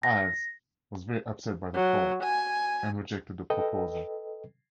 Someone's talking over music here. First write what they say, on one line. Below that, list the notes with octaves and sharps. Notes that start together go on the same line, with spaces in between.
Ives was very upset by the thought, and rejected the proposal.
A#6
F#3
G#5
A4 B4 D#5 G5